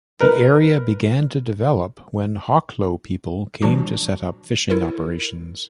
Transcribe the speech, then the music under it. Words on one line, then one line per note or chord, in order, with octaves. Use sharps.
The area began to develop when Hoklo people came to set up fishing operations.
A#4 B4
A#2 E3 F3 G3 D4 F#4
E4 A4 A#4